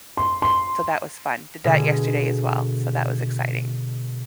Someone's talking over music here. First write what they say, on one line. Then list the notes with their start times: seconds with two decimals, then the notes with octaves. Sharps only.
so that was fun, did that yesterday, as well, so that was exciting.
0.17 C6
0.42 C6
1.64 B2 D3 G#3